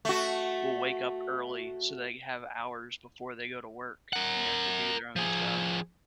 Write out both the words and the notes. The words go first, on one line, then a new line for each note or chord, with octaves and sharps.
will wake up early so they have hours before they go to work, you know, to do their own stuff,
A3 F#4
A#4 F#5
F3 G#4